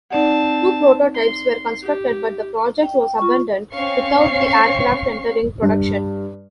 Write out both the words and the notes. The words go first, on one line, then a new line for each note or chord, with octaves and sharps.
Two prototypes were constructed, but the project was abandoned without the aircraft entering production.
C4 D#4 D5 F#5 A5
C6
G4
G5
F4 C#6
C4 C#4 F5 C#6 C7
G2